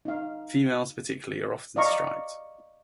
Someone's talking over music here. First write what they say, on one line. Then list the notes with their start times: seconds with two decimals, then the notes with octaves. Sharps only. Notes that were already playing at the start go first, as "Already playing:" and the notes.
Females particularly are often striped.
0.05 D#4 F5
1.76 D5 D#5 F5 A#5 C#6